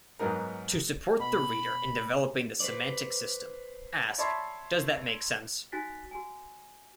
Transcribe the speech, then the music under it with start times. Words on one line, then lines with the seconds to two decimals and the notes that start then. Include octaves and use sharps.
To support the reader in developing the semantic system, ask, "Does that make sense"?
0.19 G#2 F#3 B3 D#4 A#4
1.20 B2 B5
2.60 B4 C5 D5
4.18 C#5 D5 E5 A5 B5 C6
5.72 D#4 F#4 G#5 F#6 A6 B6
6.11 F#4 G#5